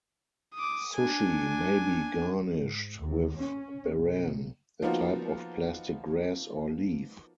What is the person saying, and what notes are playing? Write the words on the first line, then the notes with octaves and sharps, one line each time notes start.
Sushi may be garnished with "baran", a type of plastic grass or leaf.
D6 D#6
D4 G#5
G#2
D#2
C#4
B1
F3 A#3 B3 D#4 F4 F#4